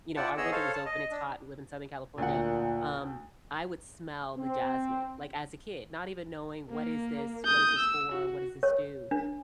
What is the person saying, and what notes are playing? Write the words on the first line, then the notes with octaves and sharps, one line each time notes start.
you know our window was open, it's hot, we live in Southern California um, I would smell the jasmine, like as a kid, not even knowing, "What is this what is this for, what does this do,"
E4 F4 D5 F#5 G5 A5
B3 G#4 C#5 D#5 E6
A4 C5 C#5 F5
A5
D#5
D4
D2 A#2 F#5
C4
A#3
D#6 G6
E6
F#4
C#5
D4